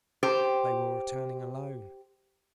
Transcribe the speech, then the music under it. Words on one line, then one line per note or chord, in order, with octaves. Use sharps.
They were returning alone!...
G4 C5